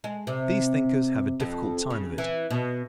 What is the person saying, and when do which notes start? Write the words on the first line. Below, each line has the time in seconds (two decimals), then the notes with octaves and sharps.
These thinkers have a difficult time of it.
0.04 G#3
0.27 C3
1.40 F2
1.90 C#3
2.18 E3
2.50 B2